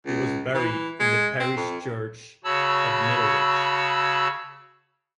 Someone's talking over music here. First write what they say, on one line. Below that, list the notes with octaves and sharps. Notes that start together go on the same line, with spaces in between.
He was buried in the parish church of Middlewich.
C#2
E3
G#3
C4
F2
C#3 F#4 C#5 A5 B5 E6